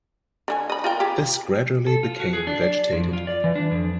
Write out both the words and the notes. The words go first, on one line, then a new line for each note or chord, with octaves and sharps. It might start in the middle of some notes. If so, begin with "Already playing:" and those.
This gradually became vegetated.
D3 E4 G#5
D#5 B5
F4 A#4 G5
G4 G#4
A4
F4
F#4
G#4
D4
D5
F2
F4
D5
E3
D4
F2